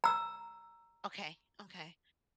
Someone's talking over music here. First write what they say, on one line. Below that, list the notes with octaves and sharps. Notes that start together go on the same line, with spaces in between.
Okay, okay.
A#5 E6